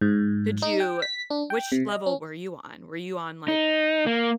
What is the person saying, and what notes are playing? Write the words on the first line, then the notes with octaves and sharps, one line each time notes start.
Could you which level were you on? Were you on, like,
G#2
D#4
G5
B6
D4
G5
C3
D#5
C#4
D#4
A#3